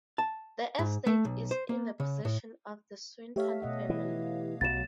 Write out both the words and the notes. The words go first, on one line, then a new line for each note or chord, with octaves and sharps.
The estate is in the possession of the Swinton Family.
A5
G#2
A3
B1
C5
A#3
C#3
A2
A3 G4 A4 C#5 E5 F5
B2 D#5 F#5
E3
B1 D#3 F#3 A6 E7